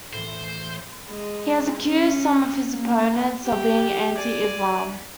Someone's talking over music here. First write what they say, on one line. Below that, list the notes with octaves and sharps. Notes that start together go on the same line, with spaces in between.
He has accused some of his opponents of being anti-Islam.
A2 E3 C5
G#3
C#4
A#3
G4
D5 G#5